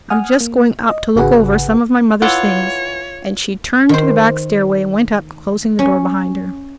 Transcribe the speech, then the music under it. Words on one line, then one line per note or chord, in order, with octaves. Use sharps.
"I'm just going up to look over some of my mother's things." And she turned to the back stairway, and went up, closing the door behind her.
F#5 G#5 D#6 F6
A#3
D#5
G#1 C#3 F#4 G#4 B4 F#5
E3 F4 C#5 F#5
D#3 C5
C#4